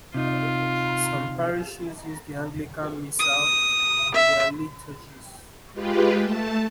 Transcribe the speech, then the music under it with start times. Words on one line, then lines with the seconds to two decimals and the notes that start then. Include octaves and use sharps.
Some parishes use the Anglican Missal in their liturgies.
0.14 C3 D#4 F4
3.19 D#6
4.15 E5
5.73 G#3 F4 G4 B4
6.20 A3 A5